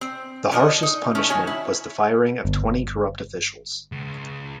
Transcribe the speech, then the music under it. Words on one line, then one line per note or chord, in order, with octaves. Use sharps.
The harshest punishment was the firing of twenty corrupt officials.
C4
D3 F3 D#5
D#4
A3 C#4 E4
D#3 F#4 C#5 G#5
E4
G1
C#2